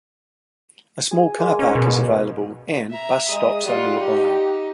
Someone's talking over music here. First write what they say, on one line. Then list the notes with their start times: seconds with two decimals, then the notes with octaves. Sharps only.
A small car park is available, and bus stops are nearby.
1.11 G#4
1.38 G#3 A#3
1.59 C#4
1.75 B2 A#3
2.90 E5 A#5
3.28 G#3 D#6
3.65 G3 F4 F#5
3.99 D#4 G4